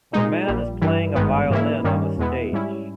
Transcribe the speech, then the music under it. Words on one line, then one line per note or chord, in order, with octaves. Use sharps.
A man is playing a violin on a stage.
A#2 G#3 D#4
A#1 A#2 G3
G2 E3 G3
G#1 G2 D#3 G#3 B3
G#2 E3 A#3 C#4 E4
G2 D#3 G3 A#3 C#4
E2 B2 G#3 B3 E4
G#2 G3 C#4 E4